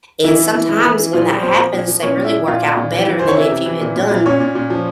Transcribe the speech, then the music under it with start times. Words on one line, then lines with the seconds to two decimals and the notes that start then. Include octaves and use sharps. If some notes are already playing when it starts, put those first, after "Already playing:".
and sometimes when that happens they really work out better than if you had done
0.24 E3 E4
0.39 E3
0.54 E3
0.69 E3
0.84 E3
0.99 E3
1.13 A#2 F3 F4
1.28 F3 G3 G4
1.43 A#2 C4 C5
1.58 F3
1.73 A#2
1.88 F3
2.02 A#2 C#4 C#5
2.17 A#2
2.25 E4 E5
2.33 F3
2.47 A#2 F4 F5
2.62 A#2
2.77 A#2
2.92 E3
3.07 E3
3.19 E3 C5
3.28 C#5
3.36 C3 E4 E5
3.51 C3
3.66 E3
3.81 A#2
3.96 A#2
4.10 A#2
4.26 A#2 C#4 C#5
4.40 A#2
4.55 A#2
4.70 F3